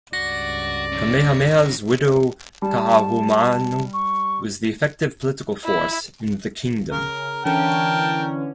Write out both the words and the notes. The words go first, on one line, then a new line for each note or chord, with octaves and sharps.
Kamehameha's widow Kaahumanu was the effective political force in the kingdom.
C#2 G2 F#4 D5 A#6
D#3 C#4
G3 A5
C#6
E4
C#3 A#4
D3 E3 C#4 A#4 G5 A5